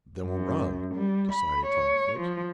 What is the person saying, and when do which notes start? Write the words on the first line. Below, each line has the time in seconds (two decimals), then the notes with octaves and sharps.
"Then we'll run," decided Tom Phipps.
0.22 F#2
0.93 G3
1.31 B5
1.65 C#5
2.19 F3